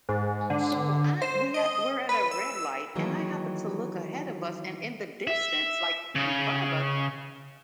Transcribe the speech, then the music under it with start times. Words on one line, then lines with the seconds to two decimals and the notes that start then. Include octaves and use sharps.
So I we are we're at a red light and I happened to look ahead of us, and in the distance, like, in front of us,
0.09 G#2
0.50 D3
1.22 C5
1.54 D#5
2.09 B4
2.31 E6
2.95 D#3 E3 F#3 G#3 A#3
5.27 E5
6.15 C#3